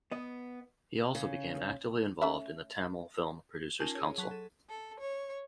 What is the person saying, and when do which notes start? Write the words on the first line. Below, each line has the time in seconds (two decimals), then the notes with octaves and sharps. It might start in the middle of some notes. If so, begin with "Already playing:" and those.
He also became actively involved in the Tamil Film Producers Council.
0.11 B3 D#5
1.15 C#3
2.22 A3 C#4 E5
3.80 C#4 D#4 F4 A#4 G#5 A5
3.95 G#4 C#5
4.18 F#3 A5 F#6 B6
4.31 A4
4.68 A4
5.01 C#5